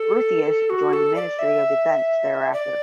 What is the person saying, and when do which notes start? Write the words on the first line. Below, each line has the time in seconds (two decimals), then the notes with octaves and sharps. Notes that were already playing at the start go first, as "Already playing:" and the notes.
Groothuis joined the Ministry of Defence thereafter.
Already playing: A4
0.70 F#4
0.93 A4
1.16 D5
1.39 E5
2.53 D5